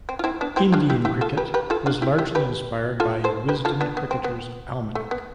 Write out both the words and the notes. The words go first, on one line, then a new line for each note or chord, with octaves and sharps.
"Indian Cricket" was largely inspired by "Wisden Cricketers' Almanack".
C4
F4
C4 E4
B3 D4
C4 E4
D4 F4
E4 G4
E4 G4
F4 A4
G4 B4
G4 B4
F4 A4
D4 F4
E4 G4
E4 G4
G4 B4
F4 A4
A4 C5
G4 B4
F4 A4
B3 D4
B3
C4
B3
A3
B3